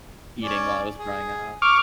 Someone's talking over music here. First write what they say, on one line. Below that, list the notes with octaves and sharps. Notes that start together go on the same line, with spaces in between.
eating while I was growing up."
C#4 D5
G#4
C#6 D6 F6